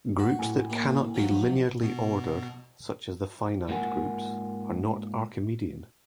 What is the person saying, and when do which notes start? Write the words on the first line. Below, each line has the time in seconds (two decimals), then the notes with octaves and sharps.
Groups that cannot be linearly ordered, such as the finite groups, are not Archimedean.
0.19 F#4
0.39 A2 G#5
0.70 A#2
1.14 F3 F#3 C#4
1.83 B2
3.68 G#2 A#3 F4 A#4 F#5 G#5